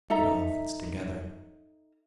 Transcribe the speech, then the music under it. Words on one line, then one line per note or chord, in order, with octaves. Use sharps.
It all fits together.
D#4 A4 E5 A#5